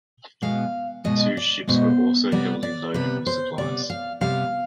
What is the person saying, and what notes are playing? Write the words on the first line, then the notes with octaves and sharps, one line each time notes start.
The two ships were also heavily loaded with supplies.
B2 G#3 B3 F5
B2 G#3 B3 D#5
D5
B2 G#3 B3 C5
C3 G3 B3 D5
D5
C3 G3 B3 B4
C5
C3 G3 B3 D5
F5
C3 G3 B3 F5